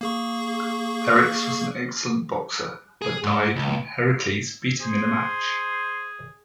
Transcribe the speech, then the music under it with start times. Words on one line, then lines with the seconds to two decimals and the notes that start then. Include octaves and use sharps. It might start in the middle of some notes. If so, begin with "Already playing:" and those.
Eryx was an excellent boxer but died when Heracles beat him in a match.
0.01 A#3 G#4 C#6
3.02 G#4
3.23 G#2
3.56 C#2
4.81 G#4 C5